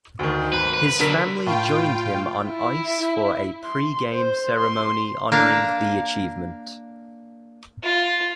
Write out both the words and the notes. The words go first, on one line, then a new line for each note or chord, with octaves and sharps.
His family joined him on ice for a pre-game ceremony honouring the achievement.
D2 D#3
G#1 B4
B4
B2 D3 F#3 A#4 B6
A2 F4 G5
E4
C6
C5
C6
A#3 D4 F5
F4